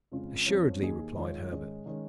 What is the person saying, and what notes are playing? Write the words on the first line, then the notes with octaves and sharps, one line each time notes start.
"Assuredly," replied Herbert.
F2 C#3 G#3 F4
F2 F3 C#4
D#2 D#3 A#3 D#4 G#4
D#3 G#3 F4 C#5
G#2 D#3 G#3 C#4
D#3 G#3 C#4